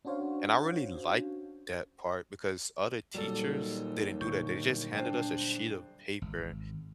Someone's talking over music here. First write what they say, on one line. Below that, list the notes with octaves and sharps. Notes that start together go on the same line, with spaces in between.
and I really liked that part because other teachers, they didn't do that, they just handed us a sheet of paper
C#4 D4 F#4 C5 C#5 F5
D#2 A#2 F#3 G3 A4
A#2 D3 F#3 C#6 G6
D4 C5 G5
G#1